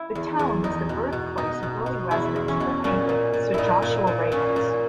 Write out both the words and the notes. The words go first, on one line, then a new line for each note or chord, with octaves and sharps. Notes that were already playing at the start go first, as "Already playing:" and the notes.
The town was the birthplace and early residence of the painter Sir Joshua Reynolds.
Already playing: E4
E2
E2
E2 D#4
B2
B2
B2 D#4
B2
B2
E2 E4
E2
C#4
B2
A#2 C#4
A#2
A#2
A#2 D#4 E4
A#2
A#2
A#2 C#4
A#2